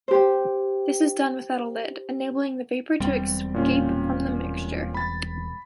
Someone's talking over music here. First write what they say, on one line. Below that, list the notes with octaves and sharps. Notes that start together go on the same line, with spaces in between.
This is done without a lid, enabling the vapor to escape from the mixture.
G4 C5
E1 G3 C4
A#2 C#4 F4
B5 A6